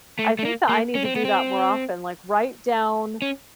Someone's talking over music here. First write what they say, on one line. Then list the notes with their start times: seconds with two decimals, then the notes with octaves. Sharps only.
I think that I need to do that more often, like write down
0.19 A3
0.39 A3
0.45 A#3
0.69 A#3
0.95 C#4
1.05 C4
1.16 B3
1.25 C4
3.22 C#4